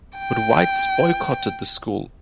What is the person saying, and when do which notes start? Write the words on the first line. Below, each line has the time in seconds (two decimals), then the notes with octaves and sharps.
But whites boycotted the school.
0.18 G5